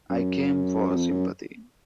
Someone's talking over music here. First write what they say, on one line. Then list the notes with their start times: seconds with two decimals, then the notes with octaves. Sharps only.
I came for sympathy.
0.10 F#2
0.90 F#2
0.95 F2
1.11 F#2